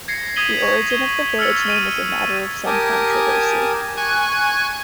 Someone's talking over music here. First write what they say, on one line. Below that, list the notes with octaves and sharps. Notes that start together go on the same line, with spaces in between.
The origin of the village name is a matter of some controversy.
G#6 A#6 C7 C#7
D#6 G#6 B6 D#7 F#7 G7
C#6 G#6
G7
E6 F6 A6 C#7 F7
F6 D#7
G4 A#4 G#5 A5 D#6
G#5 C#6 F#6 G#6